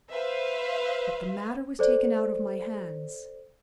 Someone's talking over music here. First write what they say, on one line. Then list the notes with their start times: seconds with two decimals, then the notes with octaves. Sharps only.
But the matter was taken out of my hands.
0.11 B4 C5 E5 F5
1.79 A4 C5 D5